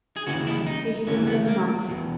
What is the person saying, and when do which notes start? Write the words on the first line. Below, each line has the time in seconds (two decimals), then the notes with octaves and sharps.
I could see he wouldn't live a month.
0.16 G#4
0.27 D#2 C#3 E3 F#4
0.47 E4
0.67 D#4
1.07 D#2 C#3 E3 C#4
1.27 B3
1.48 A#3
1.88 E2 B2